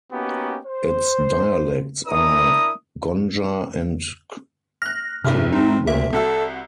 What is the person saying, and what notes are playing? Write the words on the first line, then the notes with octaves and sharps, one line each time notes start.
Its dialects are Gonja and Choruba.
A#3 B3 C#4 D#4 F#4 G4
C5
D4 E4 A#4 A#5 D#6
F6 F#6 A#6
F1 G2 C3 E4 F6
C4 D#4
D2 A#3 E5
C2 F#4 A4 E6